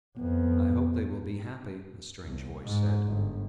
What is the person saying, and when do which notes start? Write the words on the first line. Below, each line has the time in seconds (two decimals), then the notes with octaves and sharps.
"I hope they will be happy," a strange voice said.
0.18 F2 B3
2.20 C2
2.62 G#2
3.07 G1